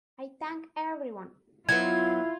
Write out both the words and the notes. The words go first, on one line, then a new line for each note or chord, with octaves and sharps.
I thank everyone.
F#3 B3 E4 F4 G#6